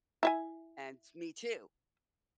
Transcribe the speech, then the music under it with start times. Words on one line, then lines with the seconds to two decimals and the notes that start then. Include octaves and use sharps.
and me too!
0.23 E4 E5 G#5